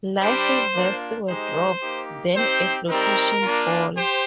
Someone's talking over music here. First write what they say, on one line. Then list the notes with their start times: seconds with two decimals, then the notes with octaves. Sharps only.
Life vests were dropped, then a flotation ball.
0.20 G3 D4 G4 C5
0.73 A#3 D4 F4
1.27 G#3 D#4 G4 C5
1.81 A#3 D#4 G4
2.34 C4 D#4 G4 C5
2.88 G3 C4 D#4 A#4
3.42 A#3 D4 F4
3.96 G4 C5